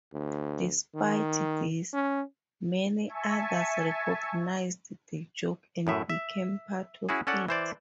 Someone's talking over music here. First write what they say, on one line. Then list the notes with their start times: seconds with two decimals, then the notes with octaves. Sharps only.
Despite this, many others recognised the joke and became part of it.
0.13 D2
0.95 D#3
1.93 C#4
3.08 E5 G#5 A5 C#6
5.87 F#2 A2 E5
6.10 E5
7.09 C#4 E4 F#4 G#4
7.27 C#4 A4 D5 F#5
7.48 E3 C5 D5